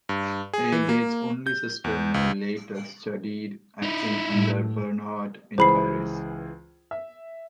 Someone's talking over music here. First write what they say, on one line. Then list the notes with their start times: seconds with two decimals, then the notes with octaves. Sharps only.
Agate's only sister, May, later studied acting under Bernhardt in Paris.
0.09 G2
0.53 G#4
0.72 E3
0.89 A#3
1.47 G6
1.84 E2
2.14 C#2
3.83 D#4 E4
4.31 A2
5.58 C#2 E3 G#4 C5 B5 C7
6.91 E5